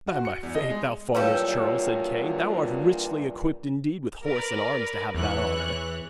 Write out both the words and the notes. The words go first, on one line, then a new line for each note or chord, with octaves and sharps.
'By my faith, thou farmer's churl,' said Kay, 'thou art richly equipped indeed with horse and arms to have that honour.'
F#4
C#7
E2
D#5
G#3
E2 G2 A#2 F#3 G3 A4 B4 F5
A#4 B4 D5
E2 E3 C#5 F#6